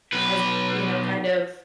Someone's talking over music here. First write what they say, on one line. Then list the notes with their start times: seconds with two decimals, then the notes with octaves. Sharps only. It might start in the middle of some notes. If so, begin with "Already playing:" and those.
has, you know, kind of
0.13 B1 B4